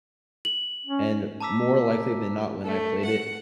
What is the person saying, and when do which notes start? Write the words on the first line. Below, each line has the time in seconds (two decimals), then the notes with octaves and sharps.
and more likely than not when I played it,
0.45 F#7
0.86 C#4
1.41 A5 A#5 D6 E6 B6
2.64 A3
3.05 F#5